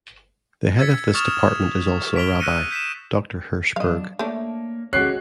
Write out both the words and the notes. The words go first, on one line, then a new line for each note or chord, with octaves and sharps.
The head of this Department is also a Rabbi, Doctor Hirschberg.
E6 G#6 A6 B6 C#7
C#6 D#6 F6 A6 E7 F7
B6 D7 F7 G7
E6 F#6 A#6 C#7 D#7
G6 B6 D#7 E7
F#3 D4 D#5 F5
A3 A#3 D4 C#5
D3 G#3 C#4 F#4 G4 C#5 F#6 C7